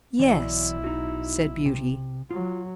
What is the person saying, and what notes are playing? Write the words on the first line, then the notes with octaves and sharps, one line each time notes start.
"Yes," said Beauty.
B1 E3 E4 D5
D#4 F#4
C3
F#3 F4